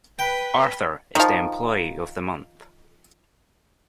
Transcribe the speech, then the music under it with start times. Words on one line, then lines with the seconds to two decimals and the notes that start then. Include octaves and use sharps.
Arthur is the employee of the month.
0.19 B4 G5
1.15 D#3 F3